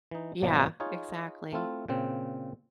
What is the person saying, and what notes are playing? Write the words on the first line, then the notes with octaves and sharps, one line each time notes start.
Yeah, exactly.
E3 D#4
G#1 B2 F3 F#3 A#3 D5
D#4 F4 G#4 C#5
A3 C4 E4 F4
A#2 C#3 C4